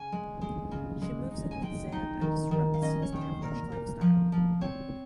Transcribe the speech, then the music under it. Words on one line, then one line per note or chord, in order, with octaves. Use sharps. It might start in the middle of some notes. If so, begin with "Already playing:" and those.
She moves in with Zand and disrupts his privileged lifestyle.
Already playing: C#3 G#5
G#3
G#3
C#3
G#3
D#4
G#5
G#3 G5
D#4
D#3
D#3
F5
C#4 D#5
C#5
D#3 C#5
C5
A#2 A#4
A#2
F3
F3
C4 C#5